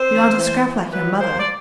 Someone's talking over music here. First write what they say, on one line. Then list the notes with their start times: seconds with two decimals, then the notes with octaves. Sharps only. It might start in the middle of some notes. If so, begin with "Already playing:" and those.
You aren't a scrap like your mother.
Already playing: C4 C5
0.09 E3
0.36 E3
0.64 E3
0.92 F#3 B4
1.20 A#3 C5
1.39 D5